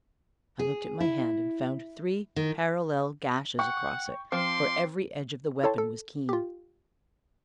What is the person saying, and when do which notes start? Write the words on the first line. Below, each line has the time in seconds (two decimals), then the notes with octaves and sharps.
I looked at my hand, and found three parallel gashes across it, for every edge of the weapon was keen.
0.59 G#4
1.00 E4
2.36 D#3
3.59 F#5 G5 C#6
4.32 F3 C4 C6 D6
5.63 E4 A4 C#5 G5 A5 C6
5.78 A4
6.29 F4 G4